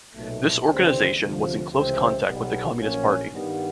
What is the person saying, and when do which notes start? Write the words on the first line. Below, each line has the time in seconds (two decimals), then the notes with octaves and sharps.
This organisation was in close contact with the Communist Party.
0.15 B1 A#2 F#3 A3
0.68 D2 C#3 E3 G3 C4
1.20 D2 C3 F3
1.73 C#2 C3 E3 A3 C4
2.26 B1 B2 G3 B3
2.79 A#1 A#2 F#3 A#3 C#4
3.32 G2 D#3 G3 B3